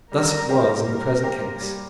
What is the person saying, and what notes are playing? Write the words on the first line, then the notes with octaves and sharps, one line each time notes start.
Thus it was in the present case.
G3 A#4
A#3 G4 C5
G3 A#4
A#3 G4 C5
G3